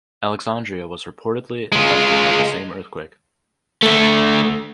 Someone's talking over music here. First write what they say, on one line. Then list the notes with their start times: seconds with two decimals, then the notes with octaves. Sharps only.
Alexandria was reportedly affected by the same earthquake.
1.72 G#3 F4
3.83 D3 A3